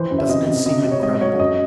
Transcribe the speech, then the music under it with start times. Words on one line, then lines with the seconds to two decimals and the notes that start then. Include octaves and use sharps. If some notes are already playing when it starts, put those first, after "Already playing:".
Doesn't it seem incredible!
Already playing: E3 C5
0.11 F#2
0.18 E5
0.29 C3 D#5
0.48 C3
0.66 C3 D#5
0.84 C3
0.91 C#5
1.03 G#2 D#5
1.21 F#3 C#5
1.40 F#2 D#5